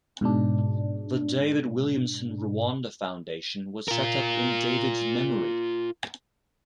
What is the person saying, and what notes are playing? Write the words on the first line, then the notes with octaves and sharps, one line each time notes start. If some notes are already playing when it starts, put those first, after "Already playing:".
The David Williamson Rwanda Foundation was set up in David's memory.
G#2 B2 G#3 D4
F4 A#4